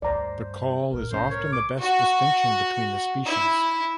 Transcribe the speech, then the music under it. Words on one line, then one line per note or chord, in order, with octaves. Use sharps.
The call is often the best distinction between the species.
D2 G2 C5 D5 A#5
B1 A#2 A#4
C2 A2 C#4 C5
A#4 C#5
D6
F#4
E4